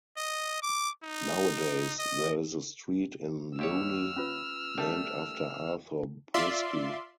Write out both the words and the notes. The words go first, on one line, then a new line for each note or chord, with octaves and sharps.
Nowadays, there is a street in Louny named after Arthur Breisky.
D#5
D6
D#4
D#5
D#2 G4 C#5 E6 F6
C#4 F4 B4
G3 A3 C#4 A#4 A5
F4 D5 E5 C6